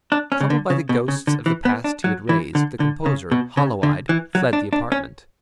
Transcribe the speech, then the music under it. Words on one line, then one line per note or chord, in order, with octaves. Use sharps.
Troubled by the ghosts of the past he had raised, the composer, hollow eyed, fled the apartment.
D4
C#4
C#3
D3
C#3
B2
C#3
D3
E3
B3
D4
F#3
E3
D3
D3
C#3
B2
C#3
D3
E3
F#3
D4
D4
C#4